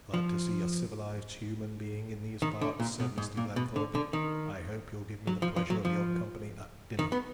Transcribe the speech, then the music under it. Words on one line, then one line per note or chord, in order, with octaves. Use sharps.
'Glad to see a civilised human being in these parts,' said Mr. Glenthorpe. 'I hope you'll give me the pleasure of your company at dinner.
F3
D#3
D3
A#2
B2
G#2
A#2
B2
D3
D3
D#3
F#3
F3
F3
F#3
F3
D#3
B3